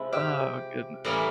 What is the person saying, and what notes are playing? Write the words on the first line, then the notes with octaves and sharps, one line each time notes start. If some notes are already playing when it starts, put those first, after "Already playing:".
Oh, goodness.
Already playing: C3 F3 G#3 C4 E4
G4
A2 E3 G3 A#3 C#4